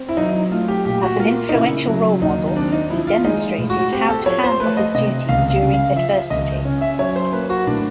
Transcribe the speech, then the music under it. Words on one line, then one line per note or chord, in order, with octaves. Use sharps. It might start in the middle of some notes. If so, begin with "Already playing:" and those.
As an influential role model, he demonstrated how to handle his duties during adversity.
Already playing: C4
E4
F#3 D#4
A3 F4
G4
A#2 G4
F#4
A#3 F4
D#4
C#3 E4
F#3
D#2 D#4
D#4
C4 D4
D#4
F3 E4
F4
G#3 D#4
A2
F#4
C4 G4
A4
F3 C#5
C5
A3 B4
D#5
C3 D#5
C#2 F5
F5
C#3
F5
F3 E5
C#2 D#5
C#4
E5
F#3 C#5
C5
A#3 B4
F#4
A2 D4